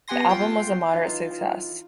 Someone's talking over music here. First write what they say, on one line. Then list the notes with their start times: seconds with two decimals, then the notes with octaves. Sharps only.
The album was a moderate success.
0.08 B3 G4 F#5 G#5 C6 A#6
0.28 F4 G5 C6
0.93 E3 D#4 F4